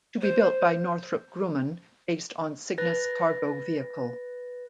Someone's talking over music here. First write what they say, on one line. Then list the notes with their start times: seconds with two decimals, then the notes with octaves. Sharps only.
To be built by Northrop Grumman based on Cygnus cargo vehicle.
0.21 C5
2.78 B4 A6 A#6